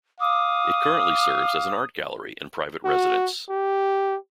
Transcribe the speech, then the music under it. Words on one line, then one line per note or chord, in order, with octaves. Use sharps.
It currently serves as an art gallery and private residence.
F5 D6 D#6
F#4
G4